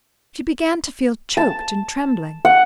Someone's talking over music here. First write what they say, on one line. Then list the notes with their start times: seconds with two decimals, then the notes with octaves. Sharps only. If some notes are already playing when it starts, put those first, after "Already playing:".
She began to feel choked and trembling.
1.37 A5
2.45 F#5